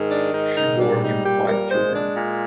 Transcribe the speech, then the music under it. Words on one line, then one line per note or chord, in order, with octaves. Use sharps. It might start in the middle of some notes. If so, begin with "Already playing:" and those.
She bore him five children.
Already playing: G#2 D#3
D4
G#2 D#4
D#4
G3 D4
D#4
A#2 G4
A#4
G#3 C5
D4
A#2